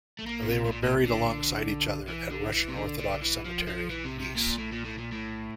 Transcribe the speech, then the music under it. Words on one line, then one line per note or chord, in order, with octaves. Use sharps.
They were buried alongside each other at Russian Orthodox Cemetery, Nice.
A3
A#3
A#2
C3
A2
A#2
A#2
D3
E3
D3
E3
C3
D3
D3
E3
F3
F3
E3
C3
C3
A#2
A2
A#2
A2
A#2
A2